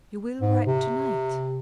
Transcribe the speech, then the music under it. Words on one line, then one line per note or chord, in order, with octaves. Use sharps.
'You will write to-night?
G#2
C3